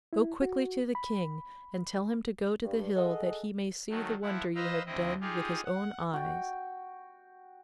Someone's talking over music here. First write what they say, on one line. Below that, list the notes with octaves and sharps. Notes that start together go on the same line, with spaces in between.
Go quickly to the King, and tell him to go to the hill that he may see the wonder you have done with his own eyes.
E4
F#4
B5
G2
G#4 A4 D#5 F#5
D#3 F#3 A3
F3 E4 F#5
B4 C5 D#5 F5 A#5 E6
D2 C4 E4 D#5
D#4 F4 G4 G#4
F#5
F#4 G5